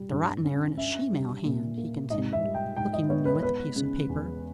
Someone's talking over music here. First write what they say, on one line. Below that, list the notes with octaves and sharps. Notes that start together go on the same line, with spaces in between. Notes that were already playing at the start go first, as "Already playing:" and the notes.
"The writin' air in a sheemale hand," he continued, looking anew at the piece of paper.
Already playing: G3
G2
C#4
C#4 E5
G3
A#2
A#3
G#2 D#5
E5
G3
G5
G#2 G5
D#5
B3 C#5
B4
B3 B4
C#3
E2